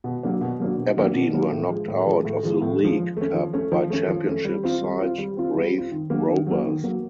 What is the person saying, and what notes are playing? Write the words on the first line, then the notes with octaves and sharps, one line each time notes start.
Aberdeen were knocked out of the League Cup by Championship side Raith Rovers.
B2
F#3 A#3 D4
B2
F#3 A#3 D4
B2
F#3 A#3 D4
B2
F#3 A#3 D4
A2
F3 G#3
A2
F3 G#3
A2
F3 G#3
A2
F3 G#3
F3
A3 C#4
F3
A3 C#4
F3
A3 C#4
F3
A3 C#4
G3
C4 F4
G3
C4 F4
G3
C4 F4
G3
C4 F4
D#3
F#3 A#3
D#3
F#3 A#3
D#3
F#3 A#3